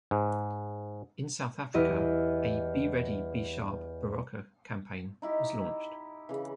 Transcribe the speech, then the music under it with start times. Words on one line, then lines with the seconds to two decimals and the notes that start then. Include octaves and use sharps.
In South Africa a "Beready Besharp Berocca" campaign was launched.
0.11 G#2
1.74 E2 E4 G4 D#5
5.22 D#4 E4 G4 D#5
6.29 C#3 E3